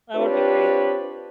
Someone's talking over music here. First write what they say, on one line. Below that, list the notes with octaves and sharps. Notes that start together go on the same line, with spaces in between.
That would be crazy.
C4 D4 F4 G4 B4 C#5